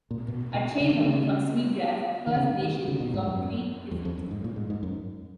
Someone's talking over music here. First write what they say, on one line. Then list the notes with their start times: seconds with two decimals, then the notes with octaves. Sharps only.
Atcheynum from Sweetgrass First Nation is of Cree descent.
0.11 A#2
0.28 B2
0.54 B2
0.80 C#3
0.92 D#3
1.04 C#3
2.27 D#3
2.36 C#3
2.62 D#3
2.88 C#3
3.01 B2
3.14 G#2
3.27 F#2
3.91 F2
4.05 F2
4.18 F#2
4.31 G#2
4.44 A#2
4.56 G#2
4.70 G#2
4.83 F#2